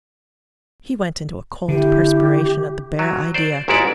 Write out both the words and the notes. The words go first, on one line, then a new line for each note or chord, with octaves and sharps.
He went into a cold perspiration at the bare idea.
D3 E4 G4
F#3
C5 D5
G1 G#2 G#3 E4 F#4 D5